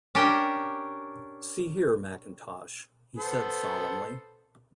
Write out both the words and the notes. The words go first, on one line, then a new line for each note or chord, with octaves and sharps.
"See here, Mackintosh," he said solemnly.
C#4 D4 G4 A#4 G5
B3 A4 C5